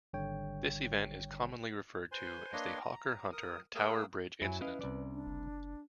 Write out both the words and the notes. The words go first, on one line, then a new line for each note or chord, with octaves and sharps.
This event is commonly referred to as the Hawker Hunter Tower Bridge incident.
G#1 D3 G3 C#5 G5
B4 C5 G#5 C6
A#3 D4 B4 C#5 D#5 C6
A#5
A#4 D#6
A3 A#3 G#4 A#4 D#6 E6
F#2 F#3 E4 G#5
C#4 E4 B4 D#5 F5
C2 D5
D4
F#1